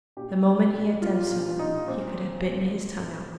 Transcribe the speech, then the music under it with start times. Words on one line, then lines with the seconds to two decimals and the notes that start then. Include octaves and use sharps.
The moment he had done so, he could have bitten his tongue out.
0.17 A#2 G4
0.45 G3
0.74 A#2
1.02 G3 F4
1.31 A#2 F4
1.59 A#2 D#4
1.88 A#2 C4
2.16 F3
2.44 A#2
2.73 F3
3.02 A#2